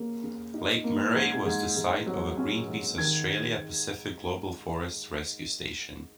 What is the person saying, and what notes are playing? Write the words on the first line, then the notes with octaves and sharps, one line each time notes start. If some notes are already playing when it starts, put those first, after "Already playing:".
Lake Murray was the site of a Greenpeace Australia Pacific Global Forest Rescue Station.
Already playing: C#3 A#3
C#3
D#4
A#3
G#2 G#6
G#2
G#2
F#3
C#4
G#2
D#3 G#6